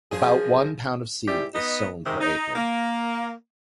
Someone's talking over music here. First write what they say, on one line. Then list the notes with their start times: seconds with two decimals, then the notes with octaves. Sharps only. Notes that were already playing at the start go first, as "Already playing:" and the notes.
About one pound of seed is sown per acre.
0.11 F#2 F3 G#4
1.27 G#2 G3 E4 G4
1.54 B3 D#4 D#5
2.05 G#2 C3 D#3
2.21 D#4
2.55 A#3